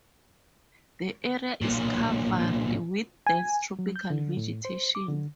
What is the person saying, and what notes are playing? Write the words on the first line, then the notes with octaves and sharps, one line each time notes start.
The area is covered with dense tropical vegetation.
B1 A#2
G#5
F#3
G6
D3
A2
C5
D6
D3